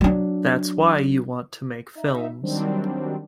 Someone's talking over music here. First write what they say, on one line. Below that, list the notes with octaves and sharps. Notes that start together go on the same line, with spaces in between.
That's why you want to make films.
F#3 D4
D#4 E5
D#3 F#3 G3 C4 D4